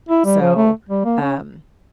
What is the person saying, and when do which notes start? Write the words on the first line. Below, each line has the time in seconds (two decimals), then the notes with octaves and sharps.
So, um,
0.09 E4
0.25 G3
0.41 F3
0.56 A3
0.89 G3
1.05 A#3
1.21 C#4